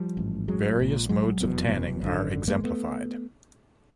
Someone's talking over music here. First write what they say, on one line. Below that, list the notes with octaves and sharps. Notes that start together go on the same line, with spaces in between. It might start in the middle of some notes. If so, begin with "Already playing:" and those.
Various modes of tanning are exemplified.
Already playing: F3 G3
A1 G#2
F#3 G#3
A#1 A#2
F#3 G#3
F1 E2 B2
G#1 F#2 D3
G#3 A#3
A3 B3